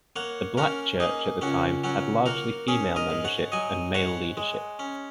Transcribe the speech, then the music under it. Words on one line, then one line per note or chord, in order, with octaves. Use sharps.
The Black church, at the time, had largely female membership and male leadership.
A#3 C#5 F#5
C#4 F#4 A#4
A#3 D#4 G#4
C#2 C#4 F#4
F#3 C#4 F#4
A#3 F#4 A#4
C#4 G#4 C#5
A#4 D#5
G#2
C#5 F#5
F#3 D#5 G#5
G#2 C#5 F#5
G#3
C#4